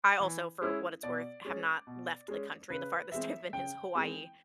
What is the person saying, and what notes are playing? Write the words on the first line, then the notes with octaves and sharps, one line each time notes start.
I also, for what it's worth, have not left the country, the farthest I've been is Hawaii,
E3
G#3 C#4 E4
B2 D5
G#3 C#4
B2
G#3 C#4
C#3 B4
E3 G#3 C4 E5
C#3 G5
E3 G#3 C4